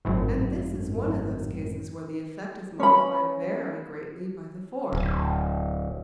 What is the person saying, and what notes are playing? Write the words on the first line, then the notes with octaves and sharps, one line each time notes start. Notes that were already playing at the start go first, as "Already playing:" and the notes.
And this is one of those cases where the effect is modified very greatly by the form.
G#1 F#2 A2
C#4 B4 B5
D1